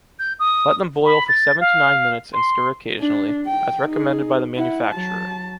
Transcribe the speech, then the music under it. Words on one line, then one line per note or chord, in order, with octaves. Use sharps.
Let them boil for seven to nine minutes and stir occasionally, as recommended by the manufacturer.
G6
D#6
B5
A6
F5
C6
D4
G5
D#4 G#4
E4 F#5
F#3 A5